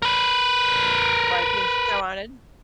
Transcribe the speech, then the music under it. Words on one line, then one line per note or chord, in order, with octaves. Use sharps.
Right, being so on.
A#4 B4